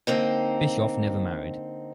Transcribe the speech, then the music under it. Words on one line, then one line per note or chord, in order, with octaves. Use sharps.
Bischoff never married.
D3 A#3 C4 D#4